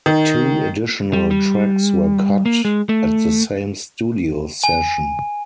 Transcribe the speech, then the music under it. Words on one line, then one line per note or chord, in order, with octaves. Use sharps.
Two additional tracks were cut at the same studio session.
D#3
G3
G3
A#3
G#3
A3
G#5